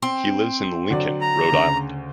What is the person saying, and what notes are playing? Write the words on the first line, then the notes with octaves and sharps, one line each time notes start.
He lives in Lincoln, Rhode Island.
C4
D3 F#3 D5
A#5
D2 C#3